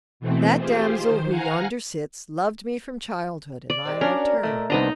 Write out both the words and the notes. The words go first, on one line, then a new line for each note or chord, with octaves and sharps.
That damsel who yonder sits, loved me from childhood and I loved her.
B2 E3 A3 C4
F4 G4 G#4 C5
D#3 C5
F5 F#5 G#5 A#5 F6
D5
G3 G#3 C4
C#4 D4 F#4 A#4 D5
A#2 A3 E4 D#5
C2 B3 D4 D#4 C5 D#5 A5 A#5